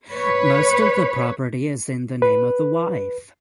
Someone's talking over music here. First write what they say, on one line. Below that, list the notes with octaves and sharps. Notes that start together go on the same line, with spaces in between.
Most of the property is in the name of the wife.
B4 C#5
B4